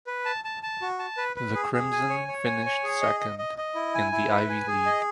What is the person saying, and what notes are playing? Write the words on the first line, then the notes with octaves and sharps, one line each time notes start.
The Crimson finished second in the Ivy League.
B4
A5
A5
A5
F#4
A5
B4
B4
G#4
G#4
G#5
C#5
C#5
G#5
C#5
G#4
D#5
D#5
D#5
D#5
E4
G#5
E4
B4
G#5
G#4
D#5